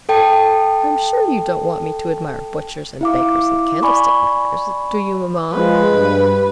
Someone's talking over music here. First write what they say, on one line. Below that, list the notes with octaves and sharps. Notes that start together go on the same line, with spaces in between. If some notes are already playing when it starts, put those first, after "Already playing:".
I'm sure you don't want me to admire butchers and bakers, and candlestick-makers, do you, mamma?'
A4 G5 A5
E4 F5 D6
D5 G#5 B5 C#6
F3 G#3 B4
G2